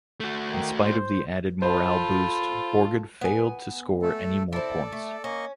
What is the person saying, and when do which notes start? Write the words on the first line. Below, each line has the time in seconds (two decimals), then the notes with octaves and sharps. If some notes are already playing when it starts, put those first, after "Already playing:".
In spite of the added morale boost, Borgudd failed to score any more points.
0.20 A3 F#4
0.49 D#3
0.84 C5
1.62 F4 A4 C5 A5 B5
3.21 B3 G#5
4.02 A3 A4
4.53 C4 E4 A4 D5
4.92 A3
5.24 A#3 C#4 D#5 C#6